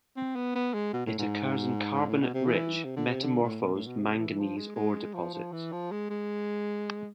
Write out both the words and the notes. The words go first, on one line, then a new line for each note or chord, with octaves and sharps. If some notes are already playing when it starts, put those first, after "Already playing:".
It occurs in carbonate-rich metamorphosed manganese ore deposits.
C4
B3
B3
G#3
B2
A2
G#2
A2
B2
C3
E3
C3
D3
C3
D3
A2
B2
A2
B2
C3
E3
F3
G#3
G#3
F3
F3
E3
F3
G#3
G#3